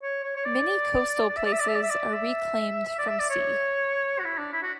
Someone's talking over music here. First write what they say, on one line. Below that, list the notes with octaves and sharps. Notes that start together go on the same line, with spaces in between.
Many coastal places are reclaimed from sea.
C#5
C#5
C#5
D5
D5
E5
D5
E5
D5
E5
D5
E5
D5
E5
D5
E5
D5
C#5
F#4
E4
D4
E4
F#4